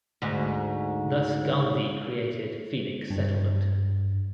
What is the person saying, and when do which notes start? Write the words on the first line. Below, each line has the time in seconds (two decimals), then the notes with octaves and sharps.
Thus Gandhi created "Phoenix Settlement".
0.22 D2 G#2
3.10 G2